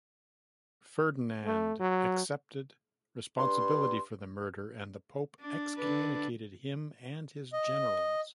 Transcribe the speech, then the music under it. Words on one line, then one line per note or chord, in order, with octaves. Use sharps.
Ferdinand accepted responsibility for the murder, and the pope excommunicated him and his generals.
A3
F#3
G2 C6
D4
D3 D4 B4
D#5